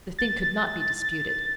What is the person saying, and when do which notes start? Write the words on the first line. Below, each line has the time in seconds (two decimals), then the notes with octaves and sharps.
The thing could not be disputed.
0.19 A6